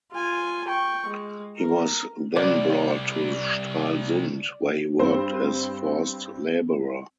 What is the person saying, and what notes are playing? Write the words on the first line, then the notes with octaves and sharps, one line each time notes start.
He was then brought to Stralsund where he worked as forced laborer.
F4 G#5
G5 C#6
G#3
A#4
C2 D5
G2 C4 C5